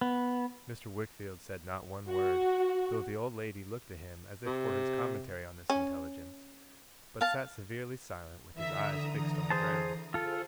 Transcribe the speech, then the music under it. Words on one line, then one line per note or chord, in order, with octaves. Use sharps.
Mr. Wickfield said not one word, though the old lady looked to him as if for his commentary on this intelligence; but sat severely silent, with his eyes fixed on the ground.
B3
F#4
C3
C#4
F5 A5
D3 E3 E5 A#5 D#6
E3
G#4 C5 A5
F4 G#4 A4 C5